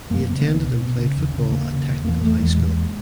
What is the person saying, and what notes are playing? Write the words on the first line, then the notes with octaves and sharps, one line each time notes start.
He attended and played football at Technical High School.
F#2 A#3
C#3 B3
A#3
C#2 B3
B2
B2
C#3
D#2
C#3
D#2 A#3
C#3
D#2
E2 A#3
E2 A3
E2 G#3
A#2 G#3
A#2